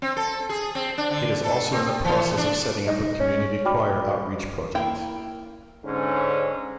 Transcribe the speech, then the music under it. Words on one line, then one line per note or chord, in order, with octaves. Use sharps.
It is also in the process of setting up a community choir outreach project.
C4
A4
G#4
C4
D4
D3
A4
C4
E3
D4
D#4
C#4
F#4 D5 G5 B5 D6 F6
A#3 E4 G5
G#2 D3 C#4